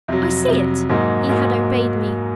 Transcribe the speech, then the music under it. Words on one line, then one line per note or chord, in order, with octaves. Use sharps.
"I see it." He had obeyed me.
F2 C3 F#3
F2 C3 F#3
G#2 F#3 A#3 D#4
G#2 F#3 A#3 D#4